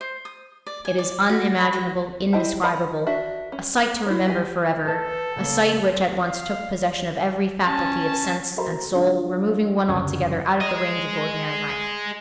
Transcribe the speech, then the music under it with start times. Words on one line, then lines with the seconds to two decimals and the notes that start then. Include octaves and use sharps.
It is unimaginable, indescribable; a sight to remember forever; a sight which at once took possession of every faculty of sense and soul, removing one altogether out of the range of ordinary life.
0.01 C5
0.25 D#6
0.67 D5
0.85 G#5
0.98 D5
1.29 F#4
1.58 B5
1.74 F#4
2.33 E4 C5 D#5 G5 A5
2.63 C5 C#5 D#5 F#5 B5
3.07 D4 F#4 E5
3.52 C#4
4.06 E4 C#5
4.26 G4 G#5
4.85 A4 B4 A5
5.36 C#3 A#3
5.83 C4
6.27 F5
7.65 C#4 A5
8.57 F#4 A4 A#4 C5 A#5
8.92 F3 G#3 D4 F4
9.88 F#1 D2 G#5 D#6 G#6
10.61 G#4 D#5